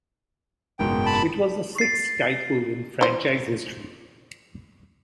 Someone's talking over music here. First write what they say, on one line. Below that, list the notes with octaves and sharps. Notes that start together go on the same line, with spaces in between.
It was the sixth title in franchise history.
F#1 G#2 B2 G5
A5 B5
A6 C7
E3 C5